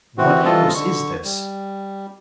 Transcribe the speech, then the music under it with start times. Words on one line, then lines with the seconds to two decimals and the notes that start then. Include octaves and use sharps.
"What house is this?"
0.18 C3 E3 C4 F#4
0.45 E3 G3 C4 F4 A4 D#5
0.75 D3 C#6
1.24 G3